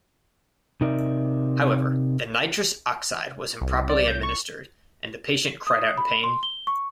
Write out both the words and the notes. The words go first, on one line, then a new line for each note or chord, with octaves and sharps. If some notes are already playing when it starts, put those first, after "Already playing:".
However, the nitrous oxide was improperly administered and the patient cried out in pain.
C3 D#4 A#4 D5 E5
C2
D5
G6
C#6
D#6
B5
C6
G7
C#6